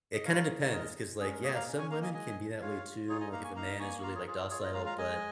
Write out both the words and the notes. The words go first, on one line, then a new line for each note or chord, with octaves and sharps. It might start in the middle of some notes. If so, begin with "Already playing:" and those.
it kinda depends 'cause, like, yeah, some women can be that way too, like, if a man is really, like, docile, but
D#5
D#4 C#5 F5
G#3
C#5
G#3 A#4 D#5
G#3
C#4 G#4
A#4
A#3 G#4 C#5
F5 A#5
C#4
G#5 C#6
A#3 F5 A#5
D#5 G#5
G#3 D#5 G#5
G#3
F4 C#5 F5
F4
D#4 G#4 C#5
D#5 G#5
A#3 F5 A#5
G#5 C#6
D#4 F5 A#5
A#3 G#5 C#6
C#6
F4 F5 A#5
G#4 C#5
A#4
F4 G#4
A#4
F4 G#4 C#5
A#4 D#5
G#3 F5 A#5
F5 A#5
G#3 D#5 G#5